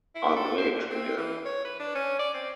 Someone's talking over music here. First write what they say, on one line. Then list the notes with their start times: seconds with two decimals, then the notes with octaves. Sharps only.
I’m late again!
0.15 E4
0.36 A4
0.58 C5
0.75 A#2
0.90 C4
1.17 E3
1.45 C#5
1.65 B4
1.79 D4
1.95 C#4
2.19 D5
2.34 C4